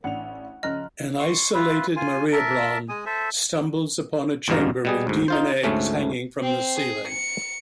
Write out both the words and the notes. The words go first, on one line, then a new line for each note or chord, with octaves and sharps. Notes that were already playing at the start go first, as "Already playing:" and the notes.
An isolated Mariabronne stumbles upon a chamber with demon eggs hanging from the ceiling.
A1 D4 F#5 F7
C#3 F3 C#4 D#5 A#5 F6 F#6
C6 C#6
E4 F4 B4
F4 G#5
A#4 E5 A5
G#3 G#5 D#6
A4 C5 E5
G#1 E2 G2 B2 F5 A#5
B2 G3 G#4
D2 G#2
D#4 F4 C5
D2 G#2 A3 C#4
C4
G#4
C#7